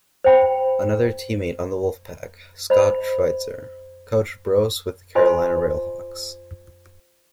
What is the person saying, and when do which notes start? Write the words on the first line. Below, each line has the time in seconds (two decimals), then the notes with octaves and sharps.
Another teammate on the Wolfpack, Scott Schweitzer, coached Brose with the Carolina RailHawks.
0.24 C5 G5 B5
2.70 C5 D#5 B5
5.15 F4 C5 D#5 G#5 C6